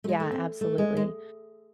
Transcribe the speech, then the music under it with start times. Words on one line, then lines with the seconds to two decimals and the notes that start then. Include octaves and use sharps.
Yeah, absolutely.
0.04 A3
0.09 G#3
0.20 A3
0.32 C4
0.61 A3
0.78 G#3
0.97 G#3